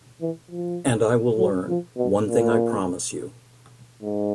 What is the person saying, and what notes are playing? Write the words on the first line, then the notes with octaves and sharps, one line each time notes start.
And I will learn — One thing I promise you.
E3
F3
F#3
F3
B2
A#2
G#2